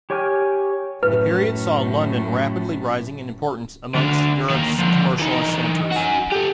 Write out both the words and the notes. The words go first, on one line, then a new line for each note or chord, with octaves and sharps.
The period saw London rapidly rising in importance amongst Europe's commercial centres.
G4 C#5 G5 G#5 F6
F#2 A2 B4
D2 D3
D#3 A#3
D3 F3
E3 D#4
F#4 G#5
G4 A4